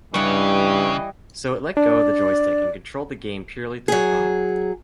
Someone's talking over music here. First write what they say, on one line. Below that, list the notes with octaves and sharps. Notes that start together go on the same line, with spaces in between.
So it let go of the joystick and controlled the game purely through thought.
G2 C#3 E3 G3 D#5 F#5
D4 D5
F#3 G#4